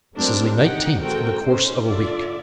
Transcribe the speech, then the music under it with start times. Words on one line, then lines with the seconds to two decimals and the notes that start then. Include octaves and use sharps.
This is the nineteenth in the course of a week.
0.16 F#3 G#3 A3 C4 D4 A#4
0.56 D#4 G4 F#5 G5
1.02 G#3 C4 F#4 A4 A#4 G5
1.43 C#4 D#4 C5
1.85 D3 F4 D5 E5